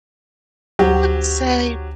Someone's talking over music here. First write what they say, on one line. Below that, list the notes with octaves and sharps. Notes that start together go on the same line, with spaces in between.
I would say,
D2 F#3 G4 C5